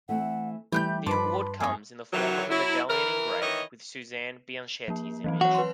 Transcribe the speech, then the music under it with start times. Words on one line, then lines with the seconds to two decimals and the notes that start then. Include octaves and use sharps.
The award comes in the form of a medallion engraved with Suzanne Bianchetti's image.
0.09 E3 A3 C4 F#5
0.72 E3 G3 A3 E4 G4 B5 F#6 G6
1.06 G2 F3 B4 A5 B5 C6 D6
1.60 F2 B3 D#4 G#4
2.13 D#3 E3 F#3
2.50 F#3 E4
2.89 E3 A#4
3.41 D#3 E3 C#5 D#5
4.88 F3 A#3
5.24 E3 F#3 C4
5.41 F#4 C#5 F#5
5.55 B4 C6